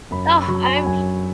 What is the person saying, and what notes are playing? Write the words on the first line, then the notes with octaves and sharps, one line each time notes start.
Ugh, I'm
F#2 B5
E6
B5
F#3 C#6
G#5
B5
F#2 G#5